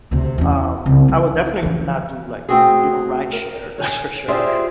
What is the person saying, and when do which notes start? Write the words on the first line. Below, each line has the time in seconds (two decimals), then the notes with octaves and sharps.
um, I would definitely not do, like, you know, rideshare, that's for sure.
0.11 D2 C3
0.38 E2 C#4
0.86 C2 C#3
1.08 E3 G3
1.62 E3 F3
2.49 A3 B3 C4 F#4 G#4
3.32 A#4
3.78 C#5 G#5
4.28 F4 G4 G#4 C5 D5 E5